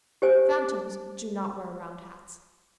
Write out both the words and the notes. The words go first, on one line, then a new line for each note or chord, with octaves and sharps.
Phantoms do not wear round hats.
G4 C5 G#5